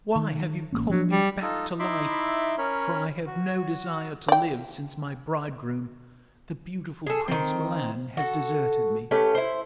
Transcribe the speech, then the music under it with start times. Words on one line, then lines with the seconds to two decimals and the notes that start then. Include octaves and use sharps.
'Why have you called me back to life? For I have no desire to live since my bridegroom, the beautiful Prince Milan, has deserted me.'
0.16 D#3
0.73 A1 A#3 C#4
0.90 F3 F#3 C#4 D4
1.11 G3
1.42 D#4 F4 A4
1.79 D#4 E4 E5 B5 C6 D6
2.58 C#4 A#4 C#5 B5
3.27 F#4
4.28 D5 G5
7.06 G#4 A4
7.28 D#3 C4
8.17 F#4 A4
9.11 A3 C#4 G4 B4
9.35 E4 C5